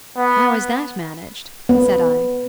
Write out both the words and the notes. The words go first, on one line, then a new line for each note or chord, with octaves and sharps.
"How is that managed?" said I.
B3
B3